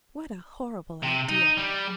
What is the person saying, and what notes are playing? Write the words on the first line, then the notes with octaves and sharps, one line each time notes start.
What a horrible idea!
C3
D#4
G3